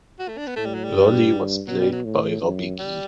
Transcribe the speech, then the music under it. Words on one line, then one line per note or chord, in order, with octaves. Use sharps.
Roly was played by Robbie Gee.
F#4
A3
D4
B3
A2 A3
G3
F#3
G3
G2
B2 F#3
G3
F#3
A2
F#2
G3